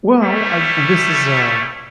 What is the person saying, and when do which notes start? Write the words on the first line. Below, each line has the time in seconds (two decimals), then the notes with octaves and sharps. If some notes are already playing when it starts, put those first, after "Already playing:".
Well, I and this is a
0.22 G3 A3 C#4 E4